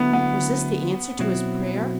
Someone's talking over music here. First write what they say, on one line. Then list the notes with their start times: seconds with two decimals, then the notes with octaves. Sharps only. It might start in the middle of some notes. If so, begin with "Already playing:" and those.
Was this the answer to his prayer?
Already playing: D3 F#3 A3 B3 E4
0.13 B3
1.19 B2 F#3 C4 E4